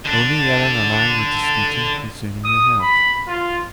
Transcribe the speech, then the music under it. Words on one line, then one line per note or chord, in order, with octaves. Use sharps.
'Only Ellen and I were disputing concerning your health.
D3 D4
D#6
B5
F4